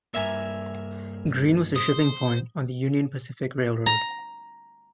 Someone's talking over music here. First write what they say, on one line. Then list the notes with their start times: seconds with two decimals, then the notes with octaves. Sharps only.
Green was a shipping point on the Union Pacific Railroad.
0.14 G2 A#3 E5 G#5 A#5
1.76 C5 D#6
3.86 A#5